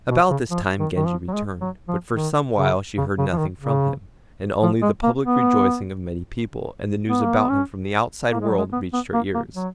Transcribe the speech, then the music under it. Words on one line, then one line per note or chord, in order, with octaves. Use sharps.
About this time Genji returned, but for some while she heard nothing from him, and only the public rejoicing of many people, and the news about him from the outside world reached her ears.
B2
C#3
F3
D#3
D#3
F3
F#3
G#3
F#3
F3
D#3
C#3
C#3
C#3
F3
D#3
C#3
F3
G#3
A#3
B3
B3
A#3
B3
C#4
A#3
G#3
F#3
G#3
B3
B3
A#3
A#3
F#3